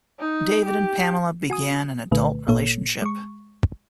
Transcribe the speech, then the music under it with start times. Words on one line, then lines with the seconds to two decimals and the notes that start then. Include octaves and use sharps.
David and Pamela begin an adult relationship.
0.20 D#4
0.66 G4
1.50 F#4 G#5 D#6
2.11 C2 A#2 D3 A3 B4
2.48 G#1 A#2 A#3 A4 C#5
3.02 G#3 C#6